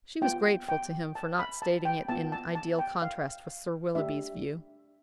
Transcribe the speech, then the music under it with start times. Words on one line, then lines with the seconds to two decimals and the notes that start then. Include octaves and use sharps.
She was grateful to him for not stating it in ideal contrast with Sir Willoughby's view.
0.22 B3 F4 G5
0.69 G5
1.15 A5
1.39 B5
1.62 A5
1.85 G5
2.09 B3 F4 A5
2.32 A5
2.55 A5
2.79 G5
3.02 F5
3.95 A3 D4 G4 E5